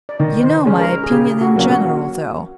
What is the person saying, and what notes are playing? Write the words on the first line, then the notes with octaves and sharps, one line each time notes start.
You know my opinions in general, though.
D5
D#3 D#5
C5
B4
G#3 C#4
A#4
G#4
C#3 G4
F#4
F#3 A#3 C#4
F#4